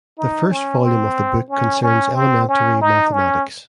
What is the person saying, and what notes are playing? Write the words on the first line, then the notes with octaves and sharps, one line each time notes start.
The first volume of the book concerns elementary mathematics.
D#4
C#4
C4
C#4
C#4
C4
C#4
D#4
C#4